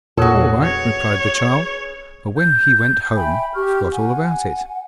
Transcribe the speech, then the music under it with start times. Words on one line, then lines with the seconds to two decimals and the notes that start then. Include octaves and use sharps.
'All right,' replied the child, but when he went home forgot all about it.
0.17 E2 A#2 C#4 F#4 G#4 A4 B4
0.63 C#5
2.38 G6
3.16 E5 G5 G#5 B5
3.55 G4 C#6 F6
3.92 F#5 G#5